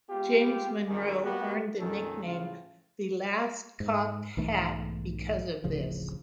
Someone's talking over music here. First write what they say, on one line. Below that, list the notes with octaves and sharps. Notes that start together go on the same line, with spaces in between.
James Monroe earned the nickname "The Last Cocked Hat" because of this.
G#3 B3 F4 G4
G#1 F#2 D#3 G#4
G3 A#3 B3 F#4 G4
F2 A#2 D#3 C#4 A4
A2 C#3 F4
G#2
B1 G#2 E3 A3
D1 A1 C#3 F3